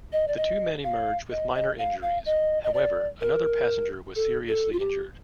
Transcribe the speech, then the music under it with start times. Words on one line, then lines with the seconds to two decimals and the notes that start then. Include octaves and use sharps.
The two men emerged with minor injuries; however, another passenger was seriously injured.
0.13 D#5
0.28 D5
0.37 D#5
0.84 F5
1.31 D#5
1.55 D#5
1.79 F5
2.02 F5
2.26 D#5
2.64 D#5
2.74 D5
3.21 A#4
4.16 A4
4.48 A4
4.72 F4
4.79 G4